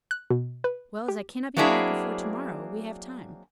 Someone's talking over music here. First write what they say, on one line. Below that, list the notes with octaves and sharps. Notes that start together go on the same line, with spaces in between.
"Well, as I cannot be back before to-morrow, we have time."
F#6
B2
B4
G4
F#3 A#3 C4 D4 E4 G#4